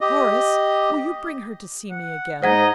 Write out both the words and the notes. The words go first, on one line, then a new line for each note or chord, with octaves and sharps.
"Horace, will you bring her to see me again?"
G4 D#5
F#5
G#2 D#4 C5 D#5 F#5 G#6